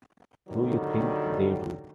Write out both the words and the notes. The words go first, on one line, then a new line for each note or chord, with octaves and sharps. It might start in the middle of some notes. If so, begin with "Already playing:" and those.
Do you think they do?
D3 D#3 F#3 G3